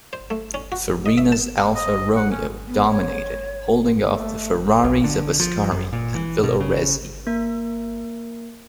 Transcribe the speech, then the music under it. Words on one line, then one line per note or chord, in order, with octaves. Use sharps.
Farina's Alfa Romeo dominated, holding off the Ferraris of Ascari and Villoresi.
C5
A3
C#4
F#4
D#5
E5
A5
D#5
F#5
C#4
B3
C#5
A3
B1
D3
F3
F#2
A#2
E3
B2
C#3
A#3 A#4